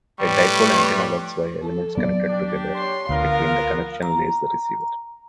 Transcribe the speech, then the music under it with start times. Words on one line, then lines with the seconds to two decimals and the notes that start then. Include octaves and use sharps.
A dipole antenna works via elements connected together, between the connection lays the receiver.
0.20 A2 G3 B4 C#5 C#6
1.63 A4
1.97 F#3 B3 D5
2.29 D4 G4
2.77 C#5 C6
3.09 D2 B3 F4 A#4 F5
4.03 A#5